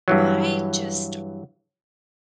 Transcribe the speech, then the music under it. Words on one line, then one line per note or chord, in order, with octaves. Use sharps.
my just
G2 E3 F#3